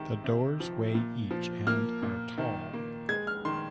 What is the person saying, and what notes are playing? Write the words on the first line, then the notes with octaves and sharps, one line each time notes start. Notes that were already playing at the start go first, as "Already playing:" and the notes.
The doors weigh each and are tall.
Already playing: C3 D#3 G#3
C3
F3
A#2
F3
A#3 F6
A#2
D#3
A#3
G#3 G#6
F6
D#3 C6